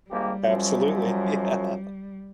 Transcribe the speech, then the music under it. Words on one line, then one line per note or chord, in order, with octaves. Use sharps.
Absolutely, yeah.
G#1 G3 A#3 G4
F#2 F3 F#3